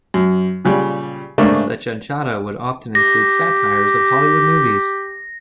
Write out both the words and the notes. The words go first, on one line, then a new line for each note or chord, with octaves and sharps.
The "chanchada" would often include satires of Hollywood movies.
F#2
A#2 C#3 G3
G#2 C#3 A3 A#3 D4
G4 A#6